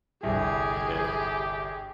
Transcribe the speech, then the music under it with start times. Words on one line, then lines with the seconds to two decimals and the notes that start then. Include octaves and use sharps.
the best.
0.23 G1 C2 G4 G#4